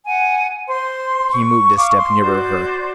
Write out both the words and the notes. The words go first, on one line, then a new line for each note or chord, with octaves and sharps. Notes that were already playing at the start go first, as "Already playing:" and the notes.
He moved a step nearer her.
F#5 G#5
C5 C6
C#6
F5 C#6 D6
C6
F#4 C5 D5 G6